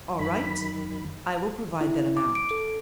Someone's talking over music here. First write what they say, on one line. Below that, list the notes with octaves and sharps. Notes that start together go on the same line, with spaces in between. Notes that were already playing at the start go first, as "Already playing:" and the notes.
"All right, I will provide that amount."
F#2 D#3 B5
E4
D6
D7
A4